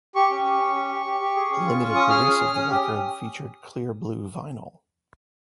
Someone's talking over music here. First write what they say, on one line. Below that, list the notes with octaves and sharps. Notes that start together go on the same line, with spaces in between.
A limited release of the record featured clear blue vinyl.
G4 C#6
C#4
G4
C#4
G4
G4
G4
G4
G#4
C#4
F4
C#4
C#4 D#6
G#4 F6
C#4 D#6
C#4 F6
C#4 D#6
G4
C#4